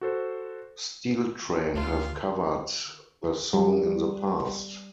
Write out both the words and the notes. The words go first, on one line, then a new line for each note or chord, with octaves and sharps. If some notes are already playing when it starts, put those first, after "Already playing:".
Steel Train have covered the song in the past.
F#4 A4 C5
D2 F4
G3